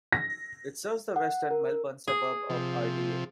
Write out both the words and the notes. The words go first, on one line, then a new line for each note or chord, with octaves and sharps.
It serves the western Melbourne suburb of Ardeer.
A#6
F#5
A#4
G#4
C3 F3